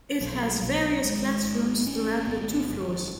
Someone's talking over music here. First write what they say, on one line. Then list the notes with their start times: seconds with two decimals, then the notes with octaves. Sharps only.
It has various classrooms throughout the two floors.
0.20 B1 B2 F#3
0.62 B1 B2
1.03 G#1 G#2 G#3
1.44 G#1 G#2
1.86 G#1 G#2 C#4
2.27 G#1 G#2 B3
2.38 G#3
2.48 B3
2.69 G#1 F#2 C#3